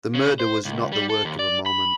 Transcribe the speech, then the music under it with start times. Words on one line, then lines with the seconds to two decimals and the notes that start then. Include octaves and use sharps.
The murder was not the work of a moment.
0.15 C#3
0.40 C5
0.65 C#2
0.92 G3
1.10 A4
1.25 D#2
1.39 D5
1.66 B5